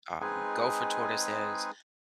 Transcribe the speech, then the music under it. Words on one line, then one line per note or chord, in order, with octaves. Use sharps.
um, gopher tortoises,
G#3 C4 D#4 G#4 B4 G#5